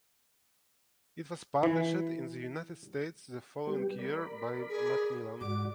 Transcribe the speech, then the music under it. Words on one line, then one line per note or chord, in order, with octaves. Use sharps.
It was published in the United States the following year by Macmillan.
E3
G3 B3 G4
A#4 D5 B5
G#4
G#2 F#4 D5 D6